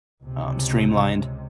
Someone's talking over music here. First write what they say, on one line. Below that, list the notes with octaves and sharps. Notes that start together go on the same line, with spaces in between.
um, streamlined,
C#2 C3